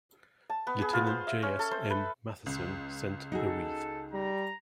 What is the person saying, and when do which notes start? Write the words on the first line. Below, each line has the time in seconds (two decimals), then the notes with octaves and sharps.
Lieutenant J. S. M. Matheson sent a wreath.
0.50 A5
0.67 B3
0.82 G#4
0.93 F4
1.07 C5
1.27 E5
1.42 C#4
1.59 A4
1.71 C5
1.90 B4
2.46 C#2
3.32 D#4 F#4 G#4 A4
4.13 G3 A#5